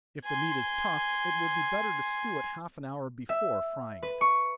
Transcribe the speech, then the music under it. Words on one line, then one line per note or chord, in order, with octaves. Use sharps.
If the meat is tough, it will be better to stew it half an hour before frying it.
G#5 C6
E5
B4
C#6